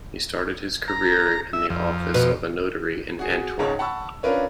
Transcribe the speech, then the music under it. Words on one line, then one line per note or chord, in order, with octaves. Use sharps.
He started his career in the office of a notary in Antwerp.
A#5
E5
F2
B2
F#4 G#4
C#2 G#2 C#3 C#5 A5
F#5 A5 B5 C#6 E6
C#4 D4 F4 A#4 B4 C#5